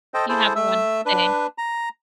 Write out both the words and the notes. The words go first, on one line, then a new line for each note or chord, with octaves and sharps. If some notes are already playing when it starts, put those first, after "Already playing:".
You have a wonderful day.
A4 C5 D#5 G5
E4 G#4 A4 C5
A3 E5 E6
D4 B4
A#5